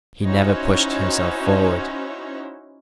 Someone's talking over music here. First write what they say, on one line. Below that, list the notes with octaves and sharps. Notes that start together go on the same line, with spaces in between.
He never pushed himself forward.
C#4 D#4 E4 F#4 C5 C#5